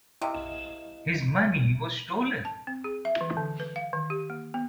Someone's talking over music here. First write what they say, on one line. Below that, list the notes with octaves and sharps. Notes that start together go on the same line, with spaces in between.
His money was stolen.
C3 E4 D#5 F5
A5
C4
G#4
E5
E3
D3
B4
F5
D#3
G4
A#3
B3